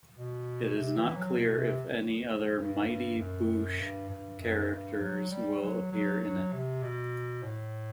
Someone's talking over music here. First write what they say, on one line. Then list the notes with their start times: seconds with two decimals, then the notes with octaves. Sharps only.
It is not clear if any other "Mighty Boosh" characters will appear in it.
0.16 B2
0.76 C3
0.97 E3
1.16 F#3
1.37 B2
1.57 C3
2.58 G2
2.88 G2
3.19 F#2
3.80 G2
4.10 G2
4.40 F#2
4.71 G2
5.01 F#3
5.31 G3
5.61 F#3
5.92 F#3
6.22 F#3
6.53 C3
6.83 B2
7.43 A2